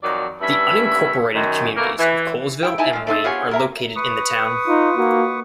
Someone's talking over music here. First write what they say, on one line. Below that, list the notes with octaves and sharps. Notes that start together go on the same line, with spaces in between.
The unincorporated communities of Kohlsville and Wayne are located in the town.
F2 D#3 F#3 D5
G2 C#4 E4 E5
F#2 D#3
B2 A3 A#3
E3
E4 G5
D#4 E4 G#5 A5
G#3 F4
A3 C4 D#4
B3 F4 G4 G#4 C#5
A#4 E5 A#5
B4 C#6 D#6
D#4 F4
A#3 F#4